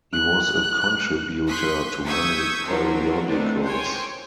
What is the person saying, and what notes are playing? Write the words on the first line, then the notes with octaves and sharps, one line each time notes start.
He was a contributor to many periodicals.
F#6
C6 C#6 D#6 F#6 G6 B6
C#6 D#6 E6 G6 G#6 B6
F3 F#3 C4 D4 A#4
D3 D#3 A3 B3 C4 D4
C5 C#5 G5 G#5